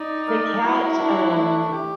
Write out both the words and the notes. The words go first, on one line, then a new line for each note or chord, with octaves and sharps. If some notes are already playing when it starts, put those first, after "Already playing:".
the cat, um,
Already playing: D#4 D5
A#4
E4 F#4
D4
A3
G4